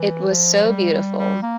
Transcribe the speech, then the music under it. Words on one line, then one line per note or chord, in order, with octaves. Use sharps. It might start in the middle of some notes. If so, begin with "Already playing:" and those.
It was so beautiful.
Already playing: E3
F3
F3
G3
G3
G3
A#3